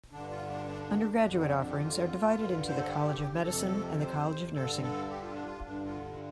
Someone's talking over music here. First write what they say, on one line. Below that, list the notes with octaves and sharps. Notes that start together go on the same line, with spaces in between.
Undergraduate offerings are divided into the College of Medicine and the College of Nursing.
G2 D3 D4
F4
D4
D4
F2 D3 D4
C4
D4
G4
F4
G2 D3
C5
A4
G4
F2 C3 A4
C5
G2 D3 A4
A4
G4
F4
D4
F4
G2 D3 D4
F4